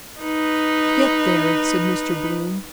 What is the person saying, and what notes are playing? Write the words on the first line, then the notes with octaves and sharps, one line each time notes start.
"Get there," said Mr. Bloom.
D#4 B4